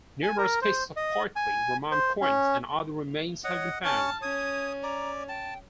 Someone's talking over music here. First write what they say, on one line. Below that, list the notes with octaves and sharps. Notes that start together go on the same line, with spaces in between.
Numerous pieces of pottery, Roman coins, and other remains have been found.
G#5
A#4
C5
D#5
G#5
C5
C#4
C#5 D#5 F#5
C#4 C#5 A5 F6
C#4 D#6 G#6
D5 A#5
G5 A5